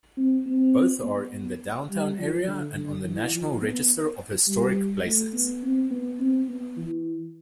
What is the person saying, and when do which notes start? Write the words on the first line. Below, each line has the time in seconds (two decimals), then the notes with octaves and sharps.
Both are in the downtown area and on the National Register of Historic Places.
0.18 C4
0.46 C4
1.04 B3
1.90 G3
2.18 F3
2.47 D3
2.76 D3
3.04 E3
3.33 F3
3.62 B3
4.47 G3
5.05 A3
5.34 B3
5.63 C4
5.91 B3
6.20 C4
6.49 B3
6.77 E3